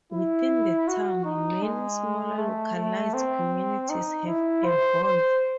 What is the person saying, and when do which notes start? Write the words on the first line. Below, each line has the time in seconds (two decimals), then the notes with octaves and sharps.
Within the town, many smaller localized communities have evolved.
0.12 E4
0.88 F#4
1.25 D#4
1.63 G#3
2.38 A3
2.76 A3
3.14 C4
3.90 D#4
4.27 E4
4.65 C5
5.03 C5